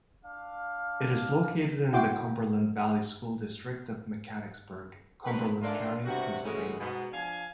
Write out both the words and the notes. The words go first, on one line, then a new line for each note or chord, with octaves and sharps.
It is located in the Cumberland Valley School District of Mechanicsburg, Cumberland County, Pennsylvania.
D4 F5
E4 F#4 G5 C6 D6
C4 D4 A#4 B4
G#2 A3 A#3 D4 F4
G2 C3 F#4
C#3 E3 G#3 A3 C#4 F#4
G#2 B2 B3
F3 D4 F5 G#5